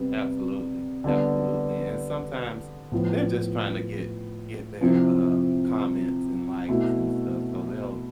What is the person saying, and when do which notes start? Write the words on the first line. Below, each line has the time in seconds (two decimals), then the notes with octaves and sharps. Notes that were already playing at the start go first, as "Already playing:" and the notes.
Absolutely. Absolutely, and sometimes they're just trying to get get their, uh, comments and likes and stuff, so they'll
Already playing: C3 G3 B3
1.04 D3 G3 B3 D4
2.92 A2 F3 B3
4.81 C3 F3 C4 E4
6.68 B2 A3 E4